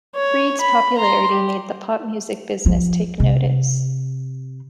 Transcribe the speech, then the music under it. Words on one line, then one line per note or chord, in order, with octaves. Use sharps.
Freed's popularity made the pop music business take notice.
C#5
B5
A#5 C6
G4
F3
C3